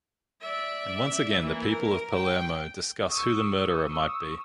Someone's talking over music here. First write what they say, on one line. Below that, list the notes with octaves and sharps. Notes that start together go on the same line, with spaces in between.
And once again the people of Palermo discuss who the murderer might be.
D5 E5
E3 A#3
A#4
G5
C#6 D#6 E6